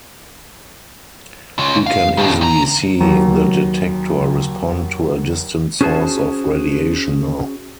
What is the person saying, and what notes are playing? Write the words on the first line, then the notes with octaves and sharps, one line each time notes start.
We can easily see the detector respond to a distant source of radiation now.
C#3 F4
F5
D#2 A2
G2 A#5
D#2 F#3 A#5
C#4 F#4 G#4 C5 A5